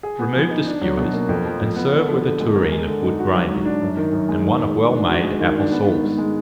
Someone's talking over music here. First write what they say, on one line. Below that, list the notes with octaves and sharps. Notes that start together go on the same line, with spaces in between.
Remove the skewers, and serve with a tureen of good gravy, and one of well-made apple-sauce.
G#4
B3
F3
D#4
D4
F#3
B2
A#3
F2
F3
F2
B3
D3
F3
D3
G#3
A#4
G#3
D3
D#4
F#4
F#3
G#2
D4
F#2
D#3
F#2
G#3
D#3
G#3
D#3
D4
F#4
G#3
D#3
D4
B3
D#3
G#2
G#3